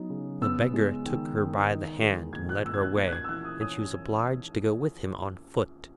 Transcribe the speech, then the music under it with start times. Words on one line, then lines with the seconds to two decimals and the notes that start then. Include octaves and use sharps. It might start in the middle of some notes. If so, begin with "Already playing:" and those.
The Beggar took her by the hand and led her away, and she was obliged to go with him on foot.
Already playing: F#3 B3 D#4
0.10 C#3
0.41 B3 E6
0.74 G#3
1.06 D#3
1.38 D#3
1.69 D#4
2.01 G#3
2.33 A#2 G#6
2.49 F#6
2.65 A#2 E6
2.74 G#6
2.81 F#6
2.97 A#3 G#6
3.07 F#6
3.12 G#6
3.24 E6
3.29 E3 F#6
3.45 D#6
3.61 C#4 D#6